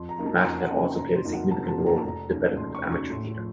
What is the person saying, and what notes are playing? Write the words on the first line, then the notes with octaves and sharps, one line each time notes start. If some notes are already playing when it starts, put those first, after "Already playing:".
The Matica also played a significant role in the development of amateur theatre.
Already playing: F2 C6
A#5
C#3 F#3 A#3 D#4
A5
C6
F2 A#5
F#5
C#3 F#3 A#3 D#4
F#5
F#1 A#5
C6
F2 D#3 F#3 A#3
F#5
F#1 A5
A5
F2 D#3 F#3 A#3
A#5
A5
F1 A#5
D#2 C#3 F#3
F1 C6
C#6
D#2 C#3 F#3
C#6
A2 C6
F3